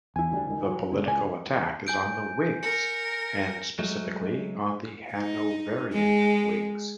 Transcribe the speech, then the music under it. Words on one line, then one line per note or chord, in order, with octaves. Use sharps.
The political attack is on the Whigs, and specifically on the Hanoverian Whigs.
E2 E4 G#5
D2 G3 D4
C#2 D#3
F#3
G1 C#3 G#3 E4
C#2 D5 G#5
G#5 G6 D7
A#4 C#7
F#3 G#3 A3
D#4
G#3